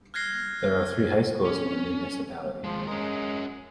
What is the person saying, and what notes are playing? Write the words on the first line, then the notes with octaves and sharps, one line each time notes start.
There are three high schools in the municipality.
F6 F#6 G#6 A#6 C7 G7
C#4
D#2 F3 G#3
G#3 C#4 A#4